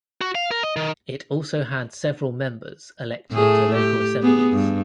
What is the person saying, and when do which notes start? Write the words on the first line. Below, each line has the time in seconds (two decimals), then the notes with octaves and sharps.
It also had several members elected to local assemblies.
0.21 F#4
0.35 F5
0.51 A#4
0.63 D#5
0.76 D#3
3.32 A2 A3 G#4
3.75 G4
4.23 B3 G#4
4.52 G2